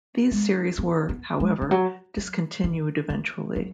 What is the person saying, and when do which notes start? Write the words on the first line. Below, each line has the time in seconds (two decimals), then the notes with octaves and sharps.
These series were, however, discontinued eventually.
0.32 G#3
0.78 B3
1.09 B3
1.40 G#3
1.62 D#3
1.71 F#3
2.17 F#3
2.64 D#3
3.10 B3
3.56 F#3